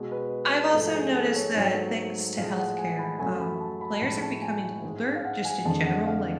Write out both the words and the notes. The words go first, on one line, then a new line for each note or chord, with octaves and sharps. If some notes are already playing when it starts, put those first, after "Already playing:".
I've also noticed that- thanks to health care- um, players are becoming older, just in general, like,
Already playing: B2 G#3
B4
G#2 F3 A3 A4
G#4
A4
C#5
G#2 F#3 A3 C#5
A2 F3 G#3 F5
F#5
G#5
B5
F#2 C#3 F#3 A3 G#5
B5
A5
B5
A5
A2 F3 G#3 B5
A5
G#5
G#2 G#3
F5
F#5
G#5
F2 D3 G#3 A5
F#5
F5